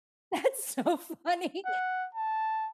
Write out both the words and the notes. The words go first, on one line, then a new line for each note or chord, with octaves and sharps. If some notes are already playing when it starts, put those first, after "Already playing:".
That's so funny.
F#5
A5